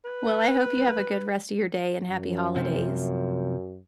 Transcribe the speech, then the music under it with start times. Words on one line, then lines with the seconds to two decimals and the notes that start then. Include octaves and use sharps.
Well, I hope you have a good rest of your day, and happy holidays.
0.05 B4
2.10 F#2
2.56 C3 F3